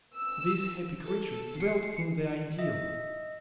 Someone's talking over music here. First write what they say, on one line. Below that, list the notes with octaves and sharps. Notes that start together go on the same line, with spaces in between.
These happy creatures dwelt in the ideal.
E6
A4
C7 C#7
D#5 E5